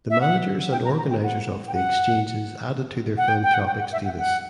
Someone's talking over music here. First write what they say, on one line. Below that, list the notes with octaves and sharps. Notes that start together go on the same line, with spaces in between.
The managers and organizers of the exchanges added to their philanthropic status.
E5
F#5
G5
A#5
A#5
G5
F#5
G5
F#5
F#5
G5
G5
F#5
G5
F#5
E5
F#5
F#5